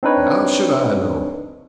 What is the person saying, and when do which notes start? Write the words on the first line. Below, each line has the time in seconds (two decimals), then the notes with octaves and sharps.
'How should I know?
0.03 C4 D4 D#4 B4 C#5